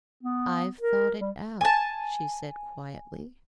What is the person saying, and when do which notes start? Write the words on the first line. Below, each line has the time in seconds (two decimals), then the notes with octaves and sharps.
"I've thought it out," she said quietly.
0.23 B3
0.81 A#4
1.20 G3
1.61 G#5 A5